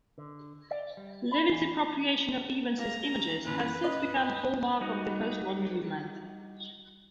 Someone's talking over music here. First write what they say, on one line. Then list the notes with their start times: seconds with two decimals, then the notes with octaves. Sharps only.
Levine's appropriation of Evans's images has since become a hallmark of the postmodern movement.
0.18 D3
0.71 D5
0.97 G3
1.32 B5
1.52 E2
2.79 A#3 A#5
3.45 F#2 A#2 E3 B4
3.82 F#2 D#5
4.81 G3 D#4 F#4